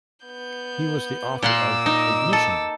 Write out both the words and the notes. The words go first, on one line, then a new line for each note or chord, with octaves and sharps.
He was the author of Ignition!
B3 G6
A#2 F#5 C6 D6 E6
D#4
A4